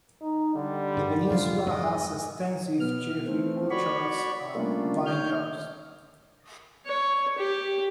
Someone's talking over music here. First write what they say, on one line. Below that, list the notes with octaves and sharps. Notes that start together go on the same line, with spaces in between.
The peninsula has extensive cherry orchards and vineyards.
D#4
D3 G3
G2
F2 C3 F3 F4
F2 G#2 D#5
B2 B3 F6
E3 A3 C4
F#4 C#5 D5 B5 C#6
G3 A3 A#3 C#4 D4 F4
D#3 C#5 F6 G6
C#5
G4